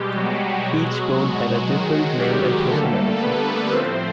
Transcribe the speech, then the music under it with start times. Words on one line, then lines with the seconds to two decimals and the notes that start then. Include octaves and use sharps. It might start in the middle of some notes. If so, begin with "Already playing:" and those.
Each bone had a different name and personality.
Already playing: B2 G3 G#3 G4
0.16 F#3 F#4
0.68 B2 G#3
1.17 F#3 F#4
1.69 D#3 G#3
2.19 G3 G4
2.70 D3 G3 A3 A#3 A4
3.22 B3 B4
3.72 A2 F3 A3 C4 C5